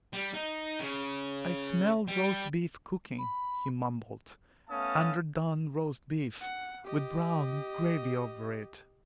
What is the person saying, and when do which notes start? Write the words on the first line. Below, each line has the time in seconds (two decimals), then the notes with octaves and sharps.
"I smell roast beef cooking," he mumbled--"underdone roast beef--with brown gravy over it."
0.13 G3
0.33 D#4
0.80 C#3
2.08 G3
3.18 B5
4.69 A3 B3 C#4 F5 A5 D#6
6.41 F#5
6.85 G4 D#5